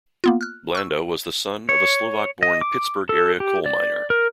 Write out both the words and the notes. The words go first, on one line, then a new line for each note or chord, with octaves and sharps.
Blanda was the son of a Slovak-born Pittsburgh-area coal miner.
A#3 B3 F4
F6 F#6
C#6 E6
C#5
D#5
D6
A4
G4
D5
A#4